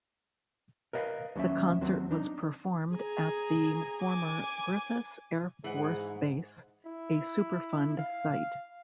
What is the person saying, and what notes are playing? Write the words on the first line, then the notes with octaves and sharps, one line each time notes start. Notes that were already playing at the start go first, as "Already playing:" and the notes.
The concert was performed at the former Griffiss Air Force Base, a Superfund site.
A#4 B4 D#5 F5
D#2 F#3 C4 C#4 E5
D#2 F#3 C4 F#4
D4 D#4
G#4 G#5 A#5
G#5 D6
G#2 E3 G#4 F#5
E4
F5